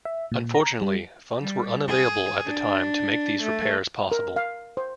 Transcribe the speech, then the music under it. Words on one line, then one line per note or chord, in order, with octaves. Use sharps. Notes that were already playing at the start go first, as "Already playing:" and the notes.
Unfortunately, funds were unavailable at the time to make these repairs possible.
E5
A#2
A#5
G3
G3
G#4
D4
A3
A#4
F5
C5